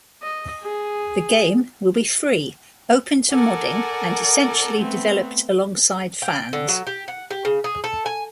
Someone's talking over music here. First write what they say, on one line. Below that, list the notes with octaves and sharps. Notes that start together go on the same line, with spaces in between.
The game will be free, open to modding, and essentially developed alongside fans.
D#5
G#4
A4 A#4 D5 F#5 G#5
A3 B3 C4
G5
D3
F#3
G4
F#5
G4
C#3
G#4
A4
G#5